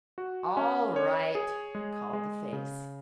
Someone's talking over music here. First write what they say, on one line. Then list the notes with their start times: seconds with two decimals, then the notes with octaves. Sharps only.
"All right," called the face.
0.18 F#4
0.57 C#4
0.96 C#5
1.35 G#4
1.75 G#3
2.13 G#3
2.53 C#3